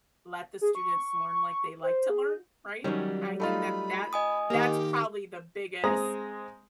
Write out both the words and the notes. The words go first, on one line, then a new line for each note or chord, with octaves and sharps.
let the students learn like they like to learn, right? I think that that's that's probably the biggest
G#4
C#6
C5
G#4
D#3 F#3 G3 C#4
A3 D#4 F4 B5
D#5 G#5 D#6
D#3 A#3 G4
G#3 C4 G#5 A#5 D#6